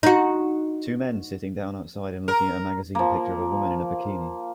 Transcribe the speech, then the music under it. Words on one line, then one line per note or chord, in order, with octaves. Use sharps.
Two men sitting down outside and looking at a magazine picture of a woman in a bikini.
D#4 F#4
A#4
F3 A#3